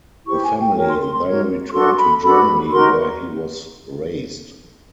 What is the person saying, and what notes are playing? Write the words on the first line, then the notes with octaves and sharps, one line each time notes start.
The family then returned to Germany where he was raised.
E4 G4 C5 C#6
G#5
G5
F#4 A#4 C#5 G5
C6
C6
C6
F#4 A#4 C#5
C#6
D4 F#4 A4 C6
B5
D4 F#4 A4 B5
D#4 F#4 A#4 C6